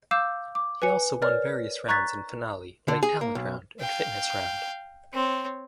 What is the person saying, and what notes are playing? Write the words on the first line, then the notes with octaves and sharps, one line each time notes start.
He also won various rounds in finale like talent round and fitness round.
F5 D6 E6 G6 E7
D6
B4 G#5 C#7
A#4 B4 C#5 D5 F6
A#5 C#6 F#6 G#6 A6 B6
D3
G#4
A#3
B1
F5 G5
C4 C#5